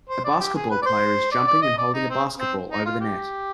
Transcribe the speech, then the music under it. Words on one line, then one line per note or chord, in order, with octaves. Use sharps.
A basketball player is jumping and holding a basketball over the net.
C5
D5
G4
G#4
B4
D5
C5
D5
D5
D#5
D5
D#4
C4
C4
D#4
F4
G4